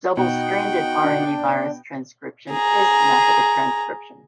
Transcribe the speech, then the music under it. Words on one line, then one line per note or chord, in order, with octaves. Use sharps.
Double-stranded rna virus transcription is the method of transcription.
B2 D#4 F#4 F#5 G5
D4
G#4 A#5